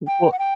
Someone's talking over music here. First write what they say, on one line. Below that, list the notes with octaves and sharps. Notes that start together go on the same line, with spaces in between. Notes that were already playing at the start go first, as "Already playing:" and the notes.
Mm, well
G5
F#5
G5